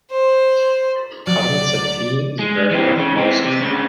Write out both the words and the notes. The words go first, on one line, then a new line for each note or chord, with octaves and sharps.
Cotton sateen is a variant of moleskin.
C5
D2 F#3 D5
G#3
E3 C4
C#3
E3 C4
C3
D2 C#3